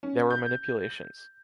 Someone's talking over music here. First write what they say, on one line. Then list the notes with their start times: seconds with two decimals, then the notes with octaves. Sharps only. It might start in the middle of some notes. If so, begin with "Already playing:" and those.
There were manipulations.
0.03 C#4
0.30 G6